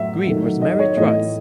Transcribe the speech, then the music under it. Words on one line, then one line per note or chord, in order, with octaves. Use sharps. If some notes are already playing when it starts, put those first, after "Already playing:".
Green was married twice.
Already playing: A2 F#3 A3 E5
D#3 F#3 A3
D#5
C#5
A2 E3 A3 D#5